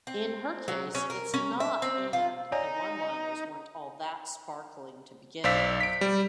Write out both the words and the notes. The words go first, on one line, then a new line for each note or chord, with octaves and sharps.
In her case, it's not-and the one-liners weren't all that sparkling to begin with.
C4
F#3
C#4
A#4
C#4
E5
C4
F4
D#4 C#5 D5 G#5
B1 C5 D5 F5 E6 B6
B6 D7
G3